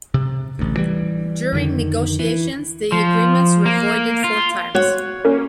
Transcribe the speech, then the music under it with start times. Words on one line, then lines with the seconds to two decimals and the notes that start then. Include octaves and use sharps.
During negotiations, the agreements were voided four times.
0.14 C3
0.59 A1 D2
0.77 E3 G3
1.53 F2 D3 D#3
2.19 E3
2.92 F3
3.66 A#3
4.24 F4
4.75 F#4 C#5
5.25 A#3 C#4